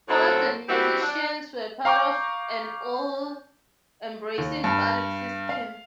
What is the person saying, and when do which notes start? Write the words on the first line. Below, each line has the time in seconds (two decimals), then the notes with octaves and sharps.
The poets and musicians were part of an all-embracing bardic system.
0.09 F#2 A2 F#3 C4 A4 C#5
0.69 E3 G3 C4 E4 F#4
1.02 D4
1.85 F5 A#5 C#6 D6 G6
4.38 D#2
4.64 G2
5.49 F5